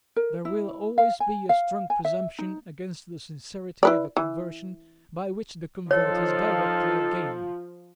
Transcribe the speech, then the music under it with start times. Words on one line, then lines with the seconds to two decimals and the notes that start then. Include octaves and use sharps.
There will always be a strong presumption against the sincerity of a conversion by which the convert is directly a gainer.
0.16 A#4
0.45 E4
0.98 F5
1.20 G#5
1.49 F5
1.90 G#5
2.05 E5
2.39 D#4
3.83 E4 B4 D5
4.17 E3
5.91 F3 D#4 A4 C#5 F5